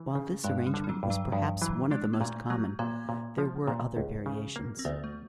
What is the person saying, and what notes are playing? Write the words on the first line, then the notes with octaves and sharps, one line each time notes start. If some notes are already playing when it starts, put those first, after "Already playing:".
While this arrangement was perhaps one of the most common, there were other variations.
Already playing: E3
C#3
G2 G#3
G3
D3
G3
F#3
G2
F#3
G2 F3
E3 F#3
G#3 D4
A#3
A#2 A3
F#3 A3
A#2 A#3
A#2
F3
A#2
C#2
C#3
A#3
C4
D2 B3
A3